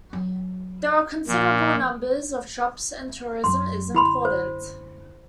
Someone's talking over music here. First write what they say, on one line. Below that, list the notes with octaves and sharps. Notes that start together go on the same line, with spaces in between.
There are considerable numbers of shops, and tourism is important.
F#3
A#2 F3
F#2 F#3 C6
F#2 D3 E4 B5 C6
C5